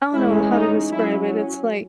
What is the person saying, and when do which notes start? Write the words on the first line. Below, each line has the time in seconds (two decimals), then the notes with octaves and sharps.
I don't know how to describe it, it's like
0.13 E3 G#3 C#4 E4
0.52 D#4
0.91 F#3 C#4 E4